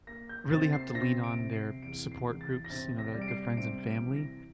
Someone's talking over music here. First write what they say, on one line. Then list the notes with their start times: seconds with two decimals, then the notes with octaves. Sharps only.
really have to lean on their support groups, you know, their, like, their friends and family.
0.07 A#3 A#6
0.29 G6
0.51 C3 A6
0.73 C7
0.95 C3 A#6
1.24 D7
1.39 C3
1.53 C7
1.82 E2 D7
2.12 C7
2.26 E2
2.41 A6
2.65 A#6
2.70 C3 A6
2.99 A#6
3.13 G3
3.22 D7
3.28 C7
3.57 C3 D7
3.86 D7
4.01 E3
4.16 A#6